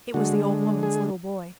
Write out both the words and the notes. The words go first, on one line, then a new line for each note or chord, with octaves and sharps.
It was the old woman's little boy.
D3 G#3 F#4
G#4